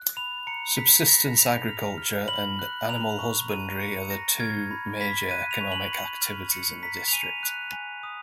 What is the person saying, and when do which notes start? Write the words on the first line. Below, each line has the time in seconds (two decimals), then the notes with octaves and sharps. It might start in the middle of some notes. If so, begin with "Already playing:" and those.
Subsistence agriculture and animal husbandry are the two major economic activities in the district.
Already playing: F#6
0.17 B5 F7
0.47 A#5 C#7
0.77 A#5 B6
1.00 B6
1.07 B5 A#6
1.37 B5 F7
1.68 F6 F7
1.98 F6
2.28 B5 F#7
2.59 F#6
2.89 A#5 F7
3.19 C#6
3.49 A#5 D#7
3.79 A#5 C#7
4.10 A#5 A#6
4.40 F6 G#6
4.71 B5
5.01 B5 B6
5.31 F#6 D#7
5.51 F7
5.61 C#6
5.72 F#7
5.92 B5
6.21 F6
6.52 F6 C#7
6.83 A#5 B6
7.08 F7
7.12 G#5 D#7
7.43 F#6
7.73 G#5
8.03 D#6